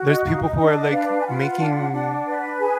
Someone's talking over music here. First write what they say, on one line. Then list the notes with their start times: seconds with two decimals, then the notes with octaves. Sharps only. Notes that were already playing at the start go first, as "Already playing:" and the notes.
there's people who are, like, making,
Already playing: F#4
0.08 D#5
0.25 D#4 F5
0.42 D#5
0.58 D4 D#5
0.81 F#5
0.92 B4 F5
1.20 G#5
1.26 F4 F#5
1.59 D4
1.92 D4
2.27 B4
2.60 G#4 G#5